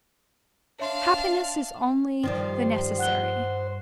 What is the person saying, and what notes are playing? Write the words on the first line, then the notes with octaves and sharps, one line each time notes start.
Happiness is only the necessary.
D4 C#5 E5 F5 C6
G2 D#3 F3 G3 C5
F#5 F#6 G7